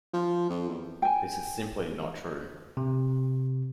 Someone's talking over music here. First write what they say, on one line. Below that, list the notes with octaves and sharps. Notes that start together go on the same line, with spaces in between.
This is simply not true.
F3
F2
E2
G5 G#5
C3